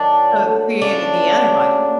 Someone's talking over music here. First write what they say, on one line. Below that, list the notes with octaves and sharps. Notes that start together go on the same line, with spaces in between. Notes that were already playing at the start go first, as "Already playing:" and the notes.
So, it created the antibio
Already playing: D#3 F#3 D4
A3
C#3 D4
F#3
A#3